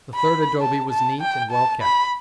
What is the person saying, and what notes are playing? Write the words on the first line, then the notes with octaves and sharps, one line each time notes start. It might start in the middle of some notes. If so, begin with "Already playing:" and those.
The third adobe was neat and well kept.
B5
A5
A5
G5
A5
B5